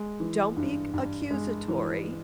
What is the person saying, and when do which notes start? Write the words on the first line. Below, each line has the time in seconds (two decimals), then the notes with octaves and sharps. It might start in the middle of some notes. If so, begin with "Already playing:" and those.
don't be c accusatory,
Already playing: G#3
0.20 E3
0.57 G2
0.94 G2
1.30 G#3
1.68 E3